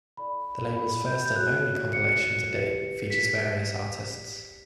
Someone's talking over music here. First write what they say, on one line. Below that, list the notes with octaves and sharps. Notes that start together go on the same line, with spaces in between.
The label's first and only compilation to date featured various artists.
E4 A4 D5 B5
B5
G6
G6
F#4 C#5 F#6
C#7
E4 G4 B4
B6
G4 D5